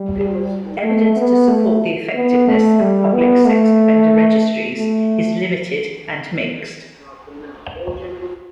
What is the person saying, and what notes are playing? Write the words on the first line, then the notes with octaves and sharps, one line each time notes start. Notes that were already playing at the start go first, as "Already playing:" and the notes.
Evidence to support the effectiveness of public sex offender registries is limited and mixed.
Already playing: G3
A3
B3
A3
B3
A3
G3
B3
A3
A3